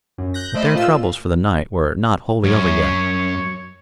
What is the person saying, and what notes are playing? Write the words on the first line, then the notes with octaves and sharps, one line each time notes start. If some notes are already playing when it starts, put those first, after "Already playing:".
But their troubles for the night were not wholly over yet.
F#2
F#6 G6 A#6
A3 C5 D5 D#5 B5
A#2 F4 E6
F#2 C#5